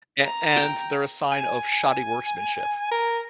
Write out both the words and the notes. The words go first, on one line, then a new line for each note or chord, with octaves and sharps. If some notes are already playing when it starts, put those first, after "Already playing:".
A and they're a sign of shoddy workmanship,
A#5
G5
G#5
A#4